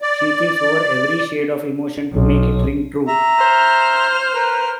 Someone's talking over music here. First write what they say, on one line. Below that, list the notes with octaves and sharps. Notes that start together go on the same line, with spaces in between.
She thinks over every shade of emotion to make it ring true.
D5
B1
E5 A#5
C5 F6
A#4 B4